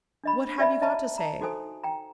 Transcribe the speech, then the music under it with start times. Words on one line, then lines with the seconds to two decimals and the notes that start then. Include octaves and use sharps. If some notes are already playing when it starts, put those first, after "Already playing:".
What have you got to say?
0.24 D4 D#5 B5
0.58 F#4 D5 E5 G#5 B5
0.82 D#5 E5 A5 A#5
1.18 A5 A#5
1.41 D#4 F#4 A4 C5 G#5 D#6
1.84 G5 A#5